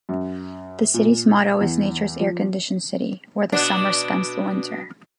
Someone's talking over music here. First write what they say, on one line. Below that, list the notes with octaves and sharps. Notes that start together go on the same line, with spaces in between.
The city's motto is nature's air conditioned city, where the summer spends the winter.
F#2
A#2
E2
F3
B2 B3 D4